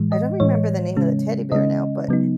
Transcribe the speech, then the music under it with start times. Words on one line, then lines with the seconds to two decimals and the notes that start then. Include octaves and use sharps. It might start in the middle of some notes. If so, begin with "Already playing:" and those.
I don't remember the name of the teddy bear now, but
Already playing: A2 E3 G#3
0.12 D#5
0.40 A2 E3 G#3 C#5
0.97 C#3 G#3 C#4
1.52 C#3 G#3 C#4 D#5
2.08 C#3 F#3 B3 D#4